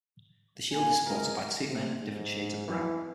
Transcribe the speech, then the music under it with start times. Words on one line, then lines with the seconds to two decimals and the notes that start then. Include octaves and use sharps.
The shield is supported by two men of different shades of brown.
0.72 A#2 G#5
1.06 C#2 C3 G#3 G#4 A#4 D#5
1.68 C3
2.01 G#2
2.67 E3